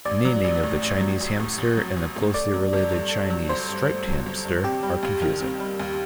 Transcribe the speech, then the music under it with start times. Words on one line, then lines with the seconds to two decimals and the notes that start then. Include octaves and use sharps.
Naming of the Chinese hamster and the closely related Chinese striped hamster are confusing.
0.05 A1 D5
0.25 F#3
0.44 A1
0.63 A2
0.82 A1
1.00 F#3
1.21 A1
1.40 A2
1.58 A1
1.77 F#3
1.96 A1
2.16 A2
2.34 A3 D5
2.54 F#3
2.73 G1
2.92 G2
3.11 A3
3.30 F#3
3.49 G1 C5
3.69 G2
3.87 A3
4.07 F#3
4.26 G1
4.45 G2
4.64 C4 G4
4.83 G3
5.03 D#2
5.22 D#3
5.40 C4
5.60 G3
5.80 D#2